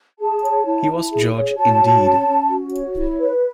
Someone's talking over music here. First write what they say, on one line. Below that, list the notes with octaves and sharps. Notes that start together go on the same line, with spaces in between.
He was George indeed.
G#4 A5
C#5
E4
E4
G#4
C#5
F#4 A5
C#5
C#4
C#4
F#4
C#5
E4
B4